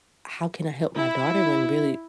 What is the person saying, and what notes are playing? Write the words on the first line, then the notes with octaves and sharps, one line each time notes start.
how can I help my daughter when really
E4